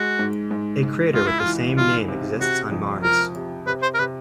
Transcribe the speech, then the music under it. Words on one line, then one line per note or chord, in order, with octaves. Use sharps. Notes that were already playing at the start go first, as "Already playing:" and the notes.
A crater with the same name exists on Mars.
Already playing: G#3 F#4
G#2
G#2
G#2
C#2 F4
E4
F4
E3
C#2 F4
C3
C3 F#4
F2
F3 A#4
C3
C3 B4
C5
A#4
C3 B4